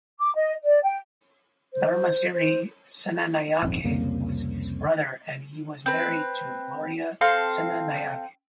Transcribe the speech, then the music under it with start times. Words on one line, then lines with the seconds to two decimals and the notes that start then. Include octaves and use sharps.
Dharmasiri Senanayake was his brother and he was married to Gloria Senanayake.
0.21 D6
0.35 D#5
0.63 D5
0.84 G5
1.74 C5
2.34 C5
3.62 D#1 G#1 F2
3.84 C2 F2 C#3 A#3
5.86 C4 B4
7.21 C4 A4 F5 C6